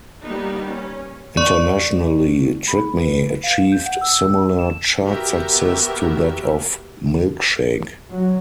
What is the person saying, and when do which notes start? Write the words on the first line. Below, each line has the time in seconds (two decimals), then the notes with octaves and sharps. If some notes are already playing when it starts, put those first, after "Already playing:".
Internationally, "Trick Me" achieved similar chart success to that of "Milkshake".
0.23 G3 A#3 B3 D#4
0.67 C#4
1.37 D5 C#6
2.68 B5
2.98 B4
3.44 F5
3.56 E7
3.72 G6
3.86 F#5
4.01 E6
4.59 E7
5.04 B3 F#4 G4 A#4 E5
8.11 F#3